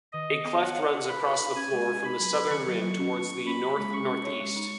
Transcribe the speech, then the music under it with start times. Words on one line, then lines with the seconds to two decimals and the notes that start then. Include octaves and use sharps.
A cleft runs across the floor from the southern rim toward the north-northeast.
0.13 D#3 D#5
0.29 D#3
0.44 B3
0.61 C#5 F#5
0.77 C#5
0.92 F#4
1.08 B4 B5
1.24 B4
1.40 D#4
1.56 C#4 G#5
1.72 G#3
1.88 F#4
2.03 D#4 B5
2.19 F#3
2.34 B4
2.50 D#3 C#6
2.67 F#3
2.82 F#3
2.99 C#4
3.14 C#4
3.30 F#4
3.46 C#4 B5
3.61 D#5
3.77 G#3
3.93 C#4 C#6
4.09 C#4
4.24 C#5
4.40 G#3
4.56 D#4